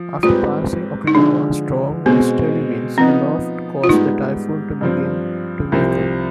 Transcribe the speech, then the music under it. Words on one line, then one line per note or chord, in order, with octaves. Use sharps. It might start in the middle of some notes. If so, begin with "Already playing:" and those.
After passing Okinawa, strong westerly winds aloft caused the typhoon to begin to weaken.
Already playing: F3
G#2 G3 C4 F4 G4 B4
D#4
D3 F3 G#3 D4
B2 G#3 B3 C4
F3 B3 C4 D#4
F4
G#2 G3 B3 D#4
G2 F3 C4
C2 C3 F3 C4